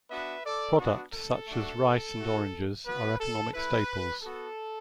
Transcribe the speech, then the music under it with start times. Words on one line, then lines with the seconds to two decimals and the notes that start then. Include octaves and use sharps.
Products such as rice and oranges are economic staples.
0.11 B3 D4 F#4 B4 E5
0.45 A4 D5
0.79 B3 D4 F#4
1.14 A4
1.48 A3 D4 F#4
2.17 A3 F#4
2.86 B3 F#4 B4
3.20 A4
3.54 A3 E4 B4
4.23 B3 F#4 A4